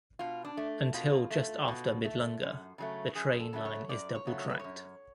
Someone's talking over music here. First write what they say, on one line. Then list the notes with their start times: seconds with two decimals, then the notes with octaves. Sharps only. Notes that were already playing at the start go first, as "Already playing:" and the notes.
Until just after Midlunga, the train line is double tracked.
0.19 B2 F4
0.45 D4
0.57 A3
0.94 B2 F4
1.31 A3
1.68 B2
2.05 A3
2.42 F#2
2.78 C#3 F#3 A3
3.15 F#2 G#4
3.40 A4
3.53 C#3 F#3 A3
3.65 C#5
3.89 F#2 D5
4.15 C#5
4.27 C#3 F#3 A3
4.39 C#5
4.50 B4
4.59 F#2 C#5